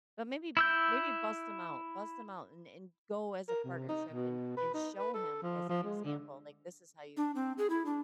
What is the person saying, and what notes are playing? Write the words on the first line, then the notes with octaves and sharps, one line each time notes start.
But maybe maybe bust him out bust him out and and go as a partnership and and show him as an example. Like, this is how you
E4 E6 G6
A#4
C3
D#4
B2
B4
D#4
B4
A4
F3
F3
G#3
D3
D4
C4
G#4
E4
D4